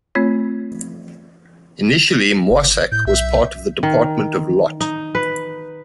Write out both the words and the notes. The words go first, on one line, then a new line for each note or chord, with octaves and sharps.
Initially Moissac was part of the department of Lot.
A3 C4 F4 C#5
G1
A2 G6
B1 E5
D#3
D#4
B4